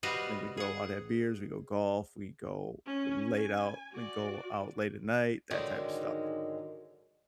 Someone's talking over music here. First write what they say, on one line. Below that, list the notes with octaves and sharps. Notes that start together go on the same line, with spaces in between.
then we go out, have beers, we go golf, we go late out and go out late at night, that type of stuff.
G3 F#4 B4 C5 D#5 F5
G#4 F#5
C#4
G#5
F#4 D5
G#2 D3 D#3 F#3 G#3